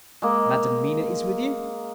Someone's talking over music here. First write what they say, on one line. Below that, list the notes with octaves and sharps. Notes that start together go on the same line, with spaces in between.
Madam Mina is with you?
G#3 A#3